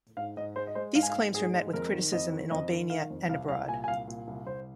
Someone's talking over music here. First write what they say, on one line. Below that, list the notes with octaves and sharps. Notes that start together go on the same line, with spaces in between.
These claims were met with criticism in Albania and abroad.
G#2 F5
G#2 D#5
G#3 C5
D#5
G#3 C5
G#2 F5
G#5
F5
G#3
G#2 G#4
G#3
F2 A#4
D#3
F2 D#5
D#3
F2 D#5
D#3
D#3 F5
F2
C2 F5
C2 F5
A#2 G#5
G#5
C2 F5
A#2
C2
C2 C5